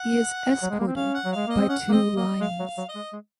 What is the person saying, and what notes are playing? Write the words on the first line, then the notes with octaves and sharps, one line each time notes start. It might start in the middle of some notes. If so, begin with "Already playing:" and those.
He is escorted by two lions.
Already playing: F#5
F#3
G#3
A#3
C4
C#4 F5
F#5
F#3
G#3 F5
A#3 D#5
C4
C#4 F#5
A#3
C4 D#5
A#3 D#5
G#3 F5
F#3
F5
F#3
D#5
G#3
G#3